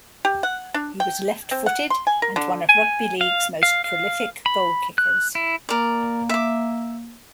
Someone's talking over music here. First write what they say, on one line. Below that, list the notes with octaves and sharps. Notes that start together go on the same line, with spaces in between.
He was left-footed, and one of rugby league's most prolific goal-kickers.
G4
F#5
D4
G5
C4
F#5
C6
G#5
A#4
D3
G#5
F5
F5
F5
B5
F#6
E4
A#3 A#4 D5
E5 D6